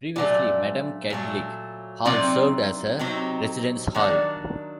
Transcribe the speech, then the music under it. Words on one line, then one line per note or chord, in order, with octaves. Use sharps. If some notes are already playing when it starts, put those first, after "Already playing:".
Previously Madame Cadillac Hall served as a residence hall.
A#2 F#3 A3 D5
A#2 F#3 A3
C3 F#3 C4 D#4 D5
C3 F#3 C4 D#4
D#3 F#3 A#3 D4